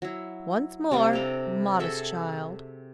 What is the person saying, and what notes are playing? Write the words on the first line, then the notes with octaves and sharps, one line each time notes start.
'Once more, modest child!'
F#3 E4
C3 G3 A#3 D4
G4 A4 A#5 D6
F#4 G#4 A4 E5